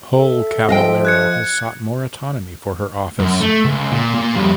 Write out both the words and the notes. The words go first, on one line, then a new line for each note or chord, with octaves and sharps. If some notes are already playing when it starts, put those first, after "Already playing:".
Hull Caballero has sought more autonomy for her office.
A4 E5
F3 D#5 F5 G5
F#6 G#6 C#7
F#2
A3
C#2
A#2
A#2
F2 G3